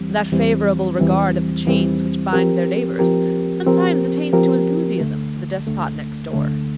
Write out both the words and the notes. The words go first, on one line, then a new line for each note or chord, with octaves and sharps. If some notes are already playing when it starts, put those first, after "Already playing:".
That favourable regard of the chains which bind their neighbours sometimes attains to enthusiasm for the despot next door.
Already playing: E2 E3 G3 C4
E2 E3 G3 C4
E2 E3 G3 C4
E2 E3 G3 C4
F3 C4 G4 A#4
F3 C4 G4 A#4
F3 C4 G4 A#4
F3 C4 G4 A#4
D2 D3 A3
D2 D3 A3
D2 D3 A3